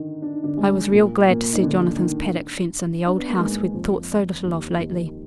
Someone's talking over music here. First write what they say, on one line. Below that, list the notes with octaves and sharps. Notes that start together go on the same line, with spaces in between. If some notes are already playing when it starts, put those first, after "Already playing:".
I was real glad to see Jonathan's paddock fence and the old house we'd thought so little of lately.
Already playing: D3 D#3 D#4
D4
D#4
D3 D4
G#2 G#3
A#2 A#3
A#2 A#3
D#4
D3 D4
D#3 D#4
D4
B3
A#3
G#2 G#3
F2 F3
D#2 D#3
D#2 D#3